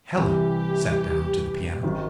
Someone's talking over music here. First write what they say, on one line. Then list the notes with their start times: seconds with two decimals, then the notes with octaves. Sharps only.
Helen sat down to the piano.
0.15 C2 C3 E3 G4
1.83 G#1 F#2 D#3